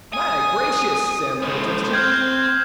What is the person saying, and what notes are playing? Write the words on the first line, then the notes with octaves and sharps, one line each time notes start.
"My gracious!" Sam protested.
G#5 D#6
C#2 A2 C5
C4 F6 G6 G#6